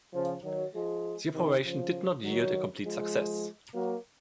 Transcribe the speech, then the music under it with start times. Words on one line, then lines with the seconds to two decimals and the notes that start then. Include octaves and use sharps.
The operation did not yield a complete success.
0.13 C#3 F3
0.43 D#3 F#3
0.74 F3 G#3
1.34 C3 D#3
1.64 C#3 F3
2.24 D#3 F#3
2.84 F3 G#3
3.74 F#3 A#3